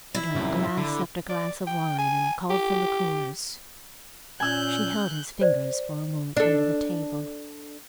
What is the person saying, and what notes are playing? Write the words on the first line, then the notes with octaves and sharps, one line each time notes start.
He drank glass after glass of wine and called for liqueurs. She held his fingers for a moment under the table.
E4
C2 F#2
D3
D5
G5
G#5
G4
A#2 C#4 G#5 E6 F#6 G6
C5 D5
D4 A4